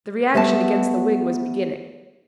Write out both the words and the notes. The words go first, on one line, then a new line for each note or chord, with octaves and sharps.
The reaction against the wig was beginning.
G3 A3 B3 B4 A5